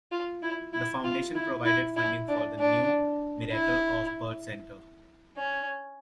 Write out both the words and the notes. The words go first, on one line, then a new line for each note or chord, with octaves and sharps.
The foundation provided funding for the new Miracle of Birth center.
F4
E4
E4
F4
E4
E4
E4
D4
D4
E4
C#4